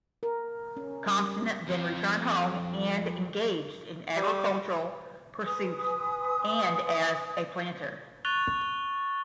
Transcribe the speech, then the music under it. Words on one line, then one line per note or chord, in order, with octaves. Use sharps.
Compton then returned home and engaged in agricultural pursuits and as a planter.
A#4
C#4
G3
F2 F3
G3
B4 G#5 C6 D#6
C#6 F#6 A6 F7 G7